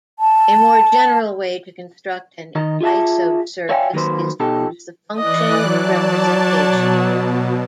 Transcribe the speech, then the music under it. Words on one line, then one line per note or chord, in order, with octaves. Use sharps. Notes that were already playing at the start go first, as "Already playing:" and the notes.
A more general way to construct an isosurface is to use the function representation.
A5
D#3 D#5 A#5
F4 G#4 E5 A5
C#5 D5 E5 F5 G5 G#5
D#3 F#3 A#3 B4 C5
B2 D#4 G4 A4
E3 D5 D#5 F#6
F#3 D5 A5
B2